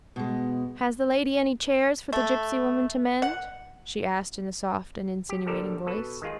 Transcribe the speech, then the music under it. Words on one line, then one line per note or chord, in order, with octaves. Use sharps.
"Has the lady any chairs for the gipsy woman to mend?" she asked in a soft and insinuating voice....
B2 G#3
A3
F#5
G4
A#1 D3 G3 G4 A4 A#4
B2 A4 B4
D#3 G#3 F4 G#4